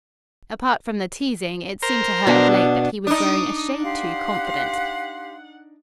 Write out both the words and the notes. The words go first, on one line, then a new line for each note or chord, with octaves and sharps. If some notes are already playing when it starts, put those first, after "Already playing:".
Apart from the teasing, it seemed to her of late that he was growing a shade too confident.
A#4 C5
B2 D4 B5
D4 D#4 D#6
G4 F5 F#5 C6